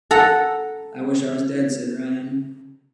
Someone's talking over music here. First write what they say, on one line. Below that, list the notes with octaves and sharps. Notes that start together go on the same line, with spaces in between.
"I wish I was dead," said Ryan.
A4 F#5 A#5